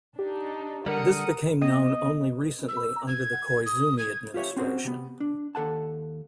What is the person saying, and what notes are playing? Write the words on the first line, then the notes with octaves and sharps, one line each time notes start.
This became known only recently under the Koizumi administration.
D4 D#4 G4
D3 G3 A#4 F#5 D#6 C#7
B3 D#5
E6
G#6
D#6
G#6
F4 G4 C#5 E5
C4 C#4 F#4 G#4 C5
C3 B3
D4
D#2 A4 F#5 A5